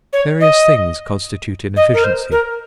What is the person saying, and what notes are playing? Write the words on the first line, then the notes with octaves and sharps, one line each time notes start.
Various things constitute inefficiency.
C#5
D#5
D#5
A#4
C5
A#4